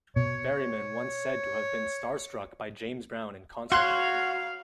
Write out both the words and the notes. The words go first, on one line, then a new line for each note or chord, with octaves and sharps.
Berryman once said to have been starstruck by James Brown in concert.
B2 C#5
F#4 C#5 F5 C6 F#6